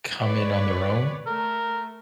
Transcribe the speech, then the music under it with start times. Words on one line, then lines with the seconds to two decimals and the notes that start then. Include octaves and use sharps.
come in on their own,
0.20 B4 C#5 D5
1.27 A3 A#4